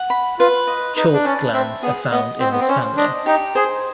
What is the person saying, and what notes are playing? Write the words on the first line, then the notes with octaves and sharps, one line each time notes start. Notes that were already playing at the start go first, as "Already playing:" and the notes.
Chalk glands are found in this family.
Already playing: F#5
B5
F4 B4
D#5
D#4 B4
D4
C#4 A5
C4 E5
B3 G#4
B3 D#5
C4 C5
B3
C4
C#4 C5
D4 D#5
D#4 G4
G#4 C5